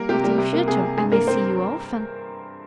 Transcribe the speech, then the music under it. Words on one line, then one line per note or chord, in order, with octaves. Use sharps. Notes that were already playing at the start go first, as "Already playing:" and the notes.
"That in future I may see you often."
Already playing: G3 A#3 A#4
C3 G4
G3
C3
A#3
C3 G#4
C3
G2 G#4
A#3 A#4
A#3 C4 C5